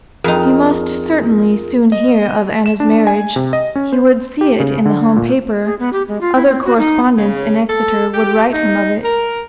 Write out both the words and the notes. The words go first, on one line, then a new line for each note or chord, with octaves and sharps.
He must certainly soon hear of Anna's marriage; he would see it in the home paper, other correspondents in Exeter would write him of it.
F2 D#4 F4 G#4 A#4
D#5
E7
D4
G#5
C3
D#5
C#4
C5
G4
C#3
D3
A#2
G#4
B3
G4
G#3
F4
E4
C4
F#4
D#4
C#3
A4
G4
D#4
A#4